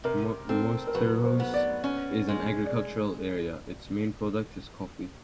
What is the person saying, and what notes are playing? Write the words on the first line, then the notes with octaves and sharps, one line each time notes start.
Mosteiros is an agricultural area, its main product is coffee.
C3 A#4
C4 A4
A#4
F#3 B4
C5
B3
D5
C#4
G#3
D5